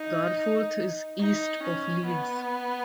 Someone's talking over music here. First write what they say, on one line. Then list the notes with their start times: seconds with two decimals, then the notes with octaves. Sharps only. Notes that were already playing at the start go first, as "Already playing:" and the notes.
Garforth is east of Leeds.
Already playing: D#4
1.20 D#4
1.63 C#4
2.06 B3